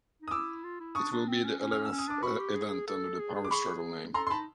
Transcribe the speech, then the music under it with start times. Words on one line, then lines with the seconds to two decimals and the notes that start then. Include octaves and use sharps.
It will be the eleventh event under the Power Struggle name.
0.22 D#4
0.28 D#6
0.31 E4 D6 E6
0.64 F4
0.80 E4
0.95 D4 C#6 D#6
1.12 D4
1.27 C4
1.44 C#4
1.60 C#4
1.72 F6
1.85 E6
1.91 C#4
1.98 D#6
2.08 D4 D6
2.23 F#4 B5 C#6
2.39 G4
2.55 G#4
2.87 A4
3.19 G#4
3.35 G#4
3.45 D6
3.51 G#4 B5 C#6
4.14 A4 A#5 C6
4.27 C6
4.30 D#4 A5 B5